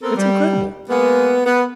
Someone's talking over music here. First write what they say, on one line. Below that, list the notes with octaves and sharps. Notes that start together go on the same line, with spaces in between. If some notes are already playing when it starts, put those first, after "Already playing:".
It's incredible!
B3 C4 A4 A#4
G3
G#3 A#3 B3
B3